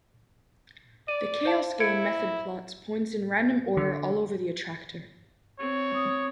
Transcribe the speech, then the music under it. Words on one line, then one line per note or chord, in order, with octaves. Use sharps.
The "chaos game" method plots points in random order all over the attractor.
D5 D#7
C5 F5 A5
E4 G#6 C#7 D7
D3
C4 C#5
D#6